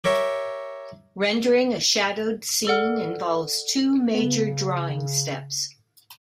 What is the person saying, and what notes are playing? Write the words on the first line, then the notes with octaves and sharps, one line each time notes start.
Rendering a shadowed scene involves two major drawing steps.
G4 A#4 C#5 E5
A4 D5 F#5 F6
C#3 B3